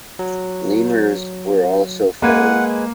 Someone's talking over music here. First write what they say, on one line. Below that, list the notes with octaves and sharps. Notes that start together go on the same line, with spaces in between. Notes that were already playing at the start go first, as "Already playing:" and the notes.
Lemurs were also found.
F#3
G#3 A#3 B4 F#5 G#5